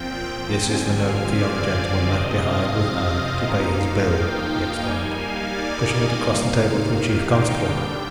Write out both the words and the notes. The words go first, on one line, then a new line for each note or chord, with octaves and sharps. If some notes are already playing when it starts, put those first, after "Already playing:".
"This is the note the young gentleman left behind with Ann to pay his bill," he explained, pushing it across the table to the chief constable.
Already playing: A#2 F3 C4 G5
D3 F3 C4 G#5
F5
D5
D5
C3 F3 C4 D#5
F5
D#5
F5
F3 A#3 D#4
G5
G3 A#3 D#4 G#5
F5
D5
D#5
C3 D#3 A#3 D#4 F5
G5
D3 G3 D4